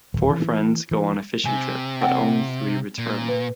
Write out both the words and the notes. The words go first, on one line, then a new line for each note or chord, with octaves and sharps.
Four friends go on a fishing trip but only three return.
D1
E3
E3
C3 G#5
C4 F#5 G5
A#2
B4